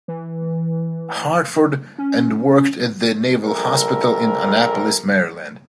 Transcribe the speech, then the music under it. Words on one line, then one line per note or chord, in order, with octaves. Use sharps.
Hartford and worked at the Naval Hospital in Annapolis, Maryland.
E3
C#4
A#1 G3 A4 A#4